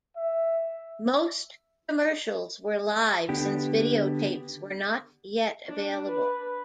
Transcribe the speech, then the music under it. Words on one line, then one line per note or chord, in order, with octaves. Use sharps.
Most commercials were live since videotapes were not yet available.
E5
D3 B3 D4 G4
D4
B4